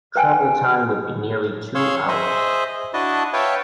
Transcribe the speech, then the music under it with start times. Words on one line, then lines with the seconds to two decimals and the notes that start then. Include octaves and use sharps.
Travel time would be nearly two hours.
0.16 B4 G5 G#5
1.75 G#4 C#5 F5 C6 E6
2.08 G#4 C5 D#5 E5
2.94 D4 E4 F#4 D#5 A5
3.33 B4 C#5 E5 F5 G5 A5